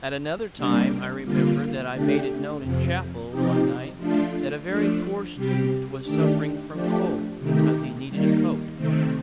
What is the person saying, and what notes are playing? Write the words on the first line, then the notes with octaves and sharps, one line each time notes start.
At another time I remember that I made it known in chapel, one night, that a very poor student was suffering from cold, because he needed a coat.
C3 G3 A#3 D4
D3 G3 A#3 F4
D3 A3 D4 G4
F2 C3 F3
C3 F3 C4 D#4 G4
F3 A3 D4 F4
F3 A3 D4
C3 G3 C4 G4
D#3 A3 D4 G4
F3 A3 D4 G4
C3 D#3 A3 D#4 G4
D#3 G3 A#3 D#4
C3 D#3 A3 C4